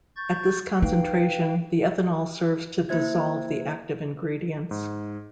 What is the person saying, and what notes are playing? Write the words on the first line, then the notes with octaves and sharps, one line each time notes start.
At this concentration, the ethanol serves to dissolve the active ingredients.
C#6 G6 A6
D#4 B4 F5 G5
A#3 E4 C5 E5 G#6
G#2